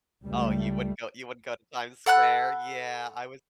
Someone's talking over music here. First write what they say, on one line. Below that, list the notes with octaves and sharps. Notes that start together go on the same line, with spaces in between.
Oh, you wouldn't go you wouldn't go to Times Square? Yeah, I was
C#2 G3 A3
A4 F#5 B5 F#6